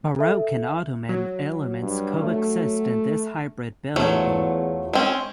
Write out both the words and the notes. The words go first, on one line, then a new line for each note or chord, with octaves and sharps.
Baroque and Ottoman elements coexist in this hybrid building.
A4 E5
F#3
G2
A3
E2 F3 F#3 A3
G#3 C4 C#4